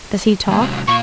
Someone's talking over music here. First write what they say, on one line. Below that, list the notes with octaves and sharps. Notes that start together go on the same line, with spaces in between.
"Does he talk?"
D#3 A#3
C3 F#3 G#3
A#2 A#3 F4 C#6